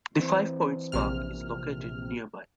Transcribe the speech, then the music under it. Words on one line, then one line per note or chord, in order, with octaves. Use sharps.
The Five Points Park is located nearby.
E3 C4
A#1 C3 F6